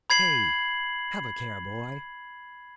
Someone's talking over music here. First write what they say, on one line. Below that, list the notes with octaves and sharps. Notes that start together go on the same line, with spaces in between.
Hey! Have a care, boy.
B5 G#6 C7 F#7